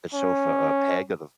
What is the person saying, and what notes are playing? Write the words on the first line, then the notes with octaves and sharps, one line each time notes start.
the sofa, a peg of the
C#4